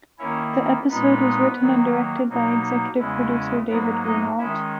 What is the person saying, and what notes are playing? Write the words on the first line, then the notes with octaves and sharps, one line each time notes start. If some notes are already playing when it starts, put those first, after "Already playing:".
The episode was written and directed by executive producer David Greenwalt.
D#3 A#3 C#4 E4 C#5
A#2 G#3 B3 D#4 B4
D#3 F#3 A#3
B2 F#3 A#3 D#4
E2 C#3 G#3 C#4 E4
G#2 F#3 A#3 B3 B4
D#4 D#5
D#3 G#3 C#4 E4 E5